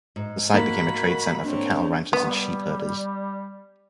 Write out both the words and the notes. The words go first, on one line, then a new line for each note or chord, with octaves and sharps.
The site became a trade center for cattle ranchers and sheepherders.
G#2
A#3 F#4 B5
C4 D4 C#5
G3 B3